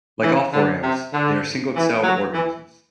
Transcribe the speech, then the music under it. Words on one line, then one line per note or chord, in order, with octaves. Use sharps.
Like all Forams, they are single-celled organisms.
E3
D3
C3
D3
E3
F#3
E3